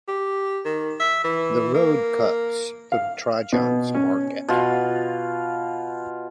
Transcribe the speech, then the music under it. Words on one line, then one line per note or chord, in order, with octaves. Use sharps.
The road cuts through Trajan's Market.
G4
D#3
E5
E3
A#3
F5
B2
C#4
B2 F4